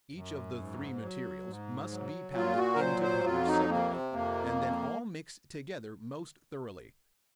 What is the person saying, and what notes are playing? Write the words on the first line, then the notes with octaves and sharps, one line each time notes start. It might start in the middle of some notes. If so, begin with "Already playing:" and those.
Each of the three materials must be pounded into powder separately, and then all mixed together most thoroughly.
F#2
G#2
F#3
G#2
F#3
A#2 F4
F#4
A#4
F#3 C5
C5
F2 F4
D#4
C3 A#3
C4
F2 A#3